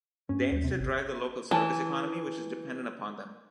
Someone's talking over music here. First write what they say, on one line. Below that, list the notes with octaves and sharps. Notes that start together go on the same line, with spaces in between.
They instead drive the local service economy which is dependent upon them.
G2 C#4
D#2
C3
G#1
E3 A5